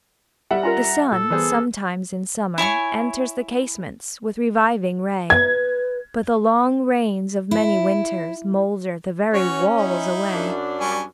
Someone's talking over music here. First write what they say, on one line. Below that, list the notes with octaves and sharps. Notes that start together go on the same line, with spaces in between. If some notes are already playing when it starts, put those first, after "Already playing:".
The sun, sometimes in summer, enters The casements, with reviving ray; But the long rains of many winters Moulder the very walls away.
G3 E5 F#5
C#4 F4 A#4 A#5
A#2 A4
E3 G3 B3 G#4 C5
E4 C#5 G#5 C#6
B4 G#6
E4
C#4 F#4 C#5
D#4 E4
F#2 D4
G3 G#5 C#6